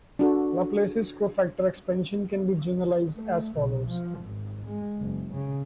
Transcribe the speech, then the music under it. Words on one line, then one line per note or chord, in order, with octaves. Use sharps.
Laplaces cofactor expansion can be generalised as follows.
D4 F#4 A4
A3
B1
F3
G#1
G#3
F#1
C#3